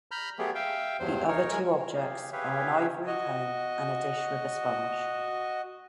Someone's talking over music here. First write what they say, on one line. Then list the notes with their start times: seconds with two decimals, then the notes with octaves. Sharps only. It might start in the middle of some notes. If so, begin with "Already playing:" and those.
The other two objects are an ivory comb and a dish with a sponge.
0.11 A#5 B5 F6 G6
0.39 F#3 A3 B3 G4 G#4
0.55 E5 F5 G5
1.00 E2 G2 F#3 C5
1.28 D#4 A#4 C#5
1.52 G#3 A#4 G#5
1.80 A#4 F6
1.94 G4 G#4 F5
2.32 G4 G#4 B4 C#5 E5 F5
3.07 F#4 D#5